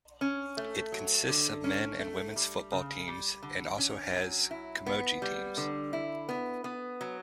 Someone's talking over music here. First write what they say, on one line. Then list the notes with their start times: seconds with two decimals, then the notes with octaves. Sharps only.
It consists of men and women's football teams and also has camogie teams.
0.21 C#4
0.57 A3
0.92 F#3
1.28 D3
1.64 C#4
1.99 A3
2.36 G3
2.72 C#3
3.08 G3
3.42 D3
3.78 C#4
4.15 F#3
4.51 E4
4.86 B3
5.22 G3
5.57 D3
5.93 E4
6.29 B3
6.64 B3
7.01 F#3